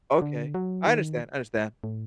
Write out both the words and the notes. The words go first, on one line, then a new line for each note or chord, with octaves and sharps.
Okay. I understand, I understand.
D3
F#3
D#3
A2